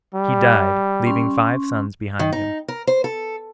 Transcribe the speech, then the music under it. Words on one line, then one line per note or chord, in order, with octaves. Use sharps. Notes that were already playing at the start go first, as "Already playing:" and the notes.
He died, leaving five sons behind him.
G3
C#4 C6
D#3
D#4
A#4
C5
A4